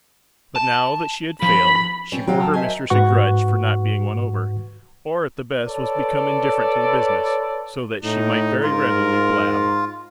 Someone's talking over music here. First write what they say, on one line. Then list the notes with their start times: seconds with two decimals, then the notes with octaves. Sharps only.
But now that she had failed she bore her mistress a grudge for not being won over, or at the best was become indifferent to the business, so that she might very readily blab.
0.56 A5
1.42 F3 B5
2.12 F3 C4 C#4
2.27 A#2 F#3 F5 G5
2.40 A#4 A5 E6
2.53 C5 D#5 E5 G#5
2.90 G#2 F#4 B4 F#5 C#6
5.66 A4 B4 C#5 D5
8.03 A2 D#4
8.63 G#2 F4 A#4